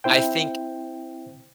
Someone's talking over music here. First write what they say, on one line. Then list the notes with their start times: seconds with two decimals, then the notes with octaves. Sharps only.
I think
0.04 C4 E4 C5 G5